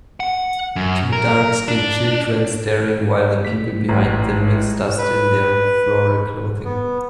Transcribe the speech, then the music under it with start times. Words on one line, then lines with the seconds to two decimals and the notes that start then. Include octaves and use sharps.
Two darkskinned children staring while the people behind them mix dust in their floral clothing.
0.20 F#5
0.76 F#2
1.13 A#4
1.68 D4
3.45 A3 G4 B6
3.89 A1
4.54 G#3 E4
4.98 B4
6.65 B3